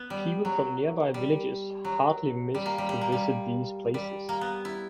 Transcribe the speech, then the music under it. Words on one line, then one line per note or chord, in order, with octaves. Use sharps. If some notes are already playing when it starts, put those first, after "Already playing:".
People from nearby villages hardly miss to visit these places.
Already playing: B3
G3
F#3
G3
F#3
G3
A#3
G3
G3
A#3
G3
G3
A#3
B3
E4